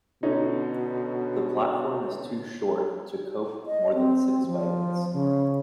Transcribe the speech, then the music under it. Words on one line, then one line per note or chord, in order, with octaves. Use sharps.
The platform is too short to cope more than six wagons.
B2 D3 C#4 D#4
D#5
C4
F3
C#3